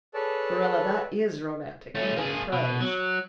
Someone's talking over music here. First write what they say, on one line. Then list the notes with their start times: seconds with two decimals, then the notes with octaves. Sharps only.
Marilla, that IS romantic, even in prose.
0.14 G#4 A4 B4 C#5 D5 A5
1.95 A3 C#4
2.16 A#3 G#4
2.52 B2
2.81 F#3